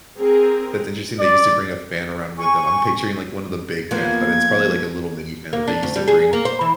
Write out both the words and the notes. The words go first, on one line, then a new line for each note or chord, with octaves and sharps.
that's interesting they used to bring a fan around with them, I'm picturing, like, one of the big fans, but it's probably, like, a little mini fan that they used to bring.
C4 G#4 A#4
D5
G#5 C#6
F3 A#3 B3 G#6
A#3
D4
D2
G3
G#4
A#3
C5
E3